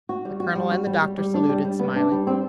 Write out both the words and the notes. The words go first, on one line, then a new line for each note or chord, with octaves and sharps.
The colonel and the doctor saluted, smiling.
F#4
G3
F#4
G3
F#4
G3
G3
G3
D4
G3
G3
B3
D4
G3
C4